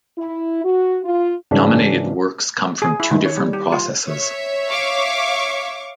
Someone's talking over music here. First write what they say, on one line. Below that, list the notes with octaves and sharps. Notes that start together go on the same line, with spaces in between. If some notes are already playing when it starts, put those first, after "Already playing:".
Nominated works come from two different processes.
E4
F#4
F4
G#2 C#3 E3 C#4 D4 F#4
G#4
E4
D#3
C#5
G3
G4
F4
C#5 E5
F5 C#6 D6